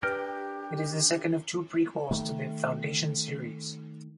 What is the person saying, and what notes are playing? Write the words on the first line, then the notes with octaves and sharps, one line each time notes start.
It is the second of two prequels to the "Foundation" Series.
D4 G4 A#4 B4 G5 F6
D#3 A3